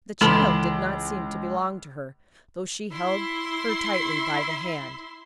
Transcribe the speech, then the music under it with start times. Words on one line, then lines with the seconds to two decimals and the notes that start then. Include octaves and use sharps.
The child did not seem to belong to her, though she held her tightly by the hand.
0.21 C#2 E3 E4 A4 A5 B5 C6
2.92 E4 C6